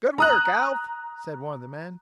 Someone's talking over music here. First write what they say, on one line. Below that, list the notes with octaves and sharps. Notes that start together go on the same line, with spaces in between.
"Good work, Alf!" said one of the men.
A#5 D#6 F#6